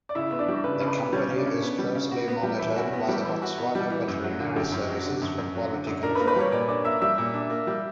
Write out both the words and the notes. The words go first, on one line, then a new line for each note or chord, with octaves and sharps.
The company is closely monitored by the Botswana Veterinary Services for quality control.
D5
C#3 E4 E5
B3
D4 D5
G3
C#3 B4
C#3
B4
B3
G3 C#4 C#5
C#3
D4 D5
C#3
B3
G3
C#3
F#4
B3
G3
E3 E4 E5
F#4
B3
G3
E3
F#4
B3
G3
E3
F#2
F#3
D3
F#2 G4 G5
F#2
F#3
D3
F#2
F#2
F#3
D3
F#2
D4 A#4 A#5
B4 B5
A#3
B4 B5
G3 C#5 C#6
A#2 D5 D6
D4 D5 D6
A#3 E5 E6
G3 E5 E6
A#2
D4
A#3
G3